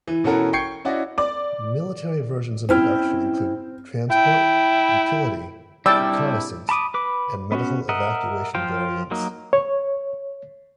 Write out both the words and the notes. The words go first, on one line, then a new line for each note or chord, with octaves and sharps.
Military versions in production include transport, utility, reconnaissance and medical evacuation variants.
E3
B2 E3 C#4 F#4 A4 A#4
G5 C#6 G6 G#6 C7 C#7
C#4 E4 F#4 D5 D#5
D5 D6
C4 C#4 E4 G5 F6
E4 G5
C3 G3 D4 E4 D5 G5 A5 E6
A5 B5 D6 D#6
B4 D6
B3 C#4 F#4
A#4 D#5 E5 F#5
F3 F4 C5 F5 G5
F#3 A#3 D#4
C#5